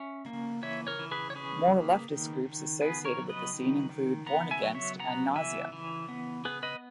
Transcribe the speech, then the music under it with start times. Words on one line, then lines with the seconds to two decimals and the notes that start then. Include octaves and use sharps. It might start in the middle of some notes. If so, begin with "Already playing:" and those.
More leftist groups associated with the scene include Born Against and Nausea.
Already playing: C#4 E5
0.26 A#3
0.63 E3 C#5 E5
0.87 A#4 C#5
0.99 E3
1.11 G#4 B4
1.30 C#5
1.35 C#4 G#4 B4
1.72 A#3
2.09 D#3
2.45 D#3
2.81 B3 G#4 B4
3.05 A#4 C#5
3.18 F#3
3.29 B4 D#5
3.54 D#3
3.90 D#3
4.26 B3 F#5 A#5
4.51 E5 G#5
4.63 F#3
4.75 C#5 E5
4.99 B3 F#5 A#5
5.35 E3 E5 G#5
5.72 E3
6.09 B3
6.45 B3 G#4 B4
6.63 B4 D#5